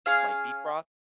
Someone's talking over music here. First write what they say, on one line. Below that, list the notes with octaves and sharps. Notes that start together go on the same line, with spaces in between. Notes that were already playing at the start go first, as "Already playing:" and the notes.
like, beef broth.
C#4 G#4 F5